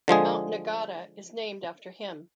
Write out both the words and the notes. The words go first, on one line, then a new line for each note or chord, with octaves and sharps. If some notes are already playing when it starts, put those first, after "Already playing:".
Mount Nagata is named after him.
D3 F3 G#3 G#4